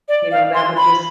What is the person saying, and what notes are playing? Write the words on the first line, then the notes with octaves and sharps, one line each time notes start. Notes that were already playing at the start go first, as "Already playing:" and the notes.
you know, that would just
D5
F5
C6
B5